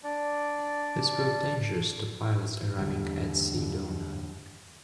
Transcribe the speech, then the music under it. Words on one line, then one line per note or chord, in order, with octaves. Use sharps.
This proved dangerous to pilots arriving at Sedona.
D4 D5
E2 D3 G3